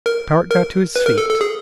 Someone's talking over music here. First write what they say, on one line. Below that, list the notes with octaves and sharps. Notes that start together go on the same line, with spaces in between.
Powart got to his feet.
A#4
A#4
B4
A#4
A4
A4
G#4